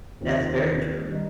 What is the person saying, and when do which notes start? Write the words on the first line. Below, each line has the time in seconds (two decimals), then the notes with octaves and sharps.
That's very true.
0.21 D#2 D#3 C4 F4
1.08 D#3 G3 D#4